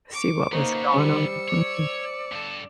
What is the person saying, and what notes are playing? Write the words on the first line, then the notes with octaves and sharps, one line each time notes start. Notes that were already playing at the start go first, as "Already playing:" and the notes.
See what was going on. Mhm.
C#6 D6
C#3 A#3 B3 D#4 C5 C#6
G3 E6 C#7
C#5 D5
G2 A4